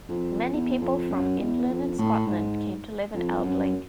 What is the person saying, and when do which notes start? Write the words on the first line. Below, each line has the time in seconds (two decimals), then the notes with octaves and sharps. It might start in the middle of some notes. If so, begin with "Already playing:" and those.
Many people from England and Scotland came to live in Elbling.
0.08 F2
0.52 E2
0.81 F2
1.10 F#2
1.39 E2
1.69 F2
1.98 A2
2.27 G#2
3.14 F2
3.43 F#2